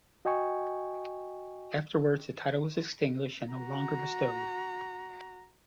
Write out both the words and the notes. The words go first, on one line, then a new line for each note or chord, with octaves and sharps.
Afterwards, the title was extinguished and no longer bestowed.
F#4 D#5 G5 G#5 C#6
F#4 A#5